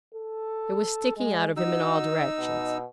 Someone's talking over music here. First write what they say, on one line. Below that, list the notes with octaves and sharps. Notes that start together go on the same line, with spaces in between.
It was sticking out of him in all directions.
A4
G#3
D#4 F#4 E6
B2